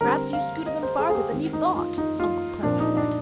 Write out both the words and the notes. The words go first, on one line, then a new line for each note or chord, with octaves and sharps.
"Perhaps you scooted them farther than you thought!" Uncle Clem said.
D3 G3 C4 A#4
F5
D#5
C5
G#4
G#4
G4
D#3 G#3 C4
D#4
F4
D#4
F4
A#2 F3 C4 D4
D#4
D4